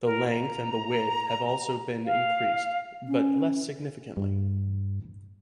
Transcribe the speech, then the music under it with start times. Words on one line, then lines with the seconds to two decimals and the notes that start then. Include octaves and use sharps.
The length and the width have also been increased, but less significantly.
0.04 A#4
0.31 A#5
2.05 F5
3.08 C#4
4.17 G2